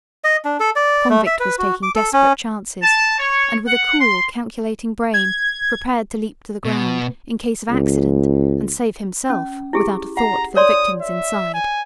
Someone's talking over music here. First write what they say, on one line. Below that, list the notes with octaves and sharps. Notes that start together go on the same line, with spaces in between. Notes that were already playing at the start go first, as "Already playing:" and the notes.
The convict was taking desperate chances, and with a cool, calculating brain, prepared to leap to the ground in case of accident and save himself, without a thought for the victims inside.
D#5
D4
A4
D5
A3
E5
B4
F#4
D6
A4
C#4
A5
C#5
F#5
C6
G#6
B2
C#2
C#4
E4 G4 G#4
F#5 A#5
C#5 D5 C6 D#6
E5
G#5